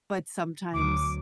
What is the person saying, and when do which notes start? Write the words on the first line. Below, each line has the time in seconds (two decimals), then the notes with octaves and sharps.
but sometimes,
0.74 D2 F#3 D6